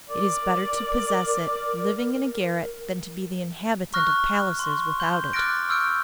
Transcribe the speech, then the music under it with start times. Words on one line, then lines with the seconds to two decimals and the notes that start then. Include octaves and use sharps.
It is better to possess it, living in a garret, than to be the inhabitant of palaces without it.
0.09 A#4 D5
3.94 C#6 F6 F#6 A#6
4.59 C6 C#6
5.00 C6 G6 G7
5.33 D6 F6 F#6 A6 A#6 D7
5.69 C#6 E6 F6 G6 D7